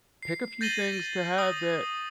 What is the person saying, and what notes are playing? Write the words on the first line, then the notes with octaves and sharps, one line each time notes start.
pick a few things to have that
C7
G6 A6 A#6 D#7 F#7 G7
D#6 F#7